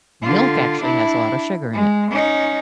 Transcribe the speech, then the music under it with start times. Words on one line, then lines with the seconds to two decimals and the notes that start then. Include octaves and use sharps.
milk actually has a lot of sugar in it.
0.23 D3 F4
0.81 D4 E4
1.73 G#3
2.10 C#4 D#4